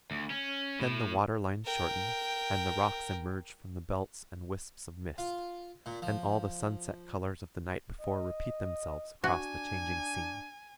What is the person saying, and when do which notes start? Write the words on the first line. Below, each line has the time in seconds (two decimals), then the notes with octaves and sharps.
Then the water-lines shorten and the rocks emerge from the belts and wisps of mist; and all the sunset colours of the night before repeat themselves across the changing scene.
0.11 D2
0.30 C#4
0.80 A2
1.65 A#4 G5
5.18 F4
5.86 A#2
6.02 F3
8.01 D#5
9.24 D4 F#4 G#5